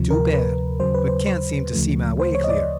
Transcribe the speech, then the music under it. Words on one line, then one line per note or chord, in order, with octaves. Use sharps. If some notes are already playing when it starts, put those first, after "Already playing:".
Too bad; but can't seem to see my way clear.
Already playing: D2 C3 F3
A#4
B4
D#2 C#3 F#3 C5
B4
C5
C5
D2 C#3 F3 A3
C5
C#5
D#5
D5